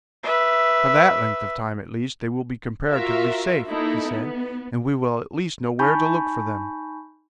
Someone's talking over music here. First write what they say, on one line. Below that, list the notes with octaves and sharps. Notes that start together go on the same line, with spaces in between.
"For that length of time at least they will be comparatively safe," he said, "and we will at least know where to look for them."
B4 E5
F4 F#4 A#4 E5 F5
A#3 D#4 E4 A4
B3
D#4 G#5 A5 B5 C#6 G6